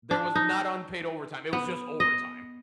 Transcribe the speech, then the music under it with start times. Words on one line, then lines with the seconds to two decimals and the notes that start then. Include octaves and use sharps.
There was not unpaid overtime, it was just overtime.
0.11 D4
0.35 D#4
1.53 B3
2.00 D#5